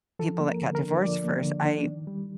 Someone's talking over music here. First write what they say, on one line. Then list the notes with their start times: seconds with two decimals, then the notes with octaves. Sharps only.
people that got divorced first. I
0.19 F3 A4
0.40 A#3
0.47 A#4
0.62 D3
0.75 A#4
0.82 D4
1.03 F3 D5
1.24 A#3
1.45 D3
1.65 D4
1.86 D#3
2.07 G3